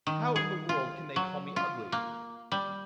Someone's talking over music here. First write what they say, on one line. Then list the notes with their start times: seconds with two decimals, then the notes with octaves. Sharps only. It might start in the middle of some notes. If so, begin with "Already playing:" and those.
How in the world can they call me ugly?
0.07 D#3
0.36 G#4
0.69 F4
1.16 F#3
1.56 F4
1.92 A#3
2.52 G3